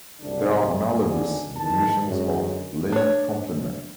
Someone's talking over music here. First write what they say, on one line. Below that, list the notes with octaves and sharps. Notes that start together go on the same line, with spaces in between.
There are analogous definitions of link complement.
F#1 C2 D3 D4
G#1 C#2 D3 G#5
E2 D#3 A5
F#2 D3 G#3 C#4
D4 C#5